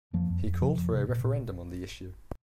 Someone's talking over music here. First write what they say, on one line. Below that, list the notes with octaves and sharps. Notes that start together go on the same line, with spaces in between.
He called for a referendum on the issue.
F2 F3 A#3
F2
F2
C3 F3
F2
C3
A#2
A#2